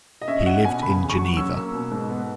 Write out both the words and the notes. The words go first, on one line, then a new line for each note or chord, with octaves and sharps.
He lived in Geneva.
D#5
C#4 E5
C#4 F#5
B2 G#5
C#3 B5
E2
C#6
F#3
C#4 E6
A#3
B2
G#2
B3